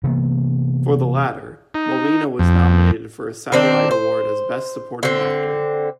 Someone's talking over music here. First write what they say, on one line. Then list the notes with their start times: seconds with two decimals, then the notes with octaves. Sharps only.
For the latter, Molina was nominated for a Satellite award as Best Supporting Actor.
0.03 C3 E3 A#3 B3
1.74 D#4
2.39 F2
3.52 D#3 C4 D4
3.91 C5
5.03 D3 C4